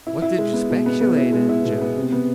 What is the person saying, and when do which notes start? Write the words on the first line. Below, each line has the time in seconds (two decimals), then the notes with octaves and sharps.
"What did you speculate in, Jim?"
0.07 E4
0.22 E4
0.38 G#3
0.53 B3
0.70 B2
0.86 B3
1.01 B3
1.17 E4
1.33 G#3
1.49 E4
1.64 B2
1.81 B3
1.97 C3
2.12 B3